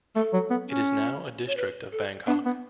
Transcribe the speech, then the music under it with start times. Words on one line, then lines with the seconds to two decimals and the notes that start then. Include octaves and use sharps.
It is now a district of Bangkok.
0.16 A3 A4
0.33 F#3
0.50 B3
0.68 C#4
1.47 C#5
1.57 B4
1.92 A4
2.27 B3 D4
2.46 B3